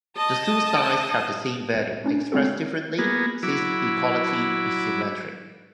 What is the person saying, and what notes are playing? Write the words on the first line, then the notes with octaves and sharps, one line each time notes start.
The two sides have the same value, expressed differently, since equality is symmetric.
D#5 A5 D#6
B1
A3 C#4 D4
G#3 A3 C4 F#4 G4 A4
A#3 B3 G#4
F#3 E4 B5 D6